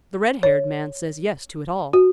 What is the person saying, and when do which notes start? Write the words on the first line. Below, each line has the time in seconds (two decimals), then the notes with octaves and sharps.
The red-haired man says yes to it all.
0.43 C#5
1.93 F#4